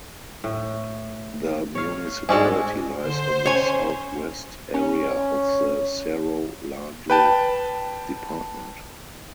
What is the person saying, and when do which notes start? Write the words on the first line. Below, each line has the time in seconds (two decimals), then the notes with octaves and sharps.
The municipality lies on the southwest area of the Cerro Largo Department.
0.44 A2
1.75 C#5 F5
2.29 G#2 G#3 D4 F#4 G#4 A4
3.03 D3 C5
3.45 C#4 C#5 G#5
4.74 C#4
7.10 B4 G5 A5